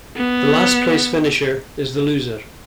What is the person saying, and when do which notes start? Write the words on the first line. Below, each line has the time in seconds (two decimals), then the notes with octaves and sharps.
The last-place finisher is the loser.
0.16 B3